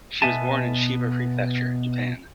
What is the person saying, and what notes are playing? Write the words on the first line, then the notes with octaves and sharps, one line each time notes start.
She was born in Chiba Prefecture, Japan.
B2 B3 E5 G#5 A5